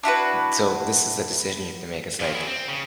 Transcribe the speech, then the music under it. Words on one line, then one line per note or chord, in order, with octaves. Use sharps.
n so, this is a decision you have to make, it's, like,
D4 E4 F#4 B4
G2 F3
E4 G#4
C4
C#3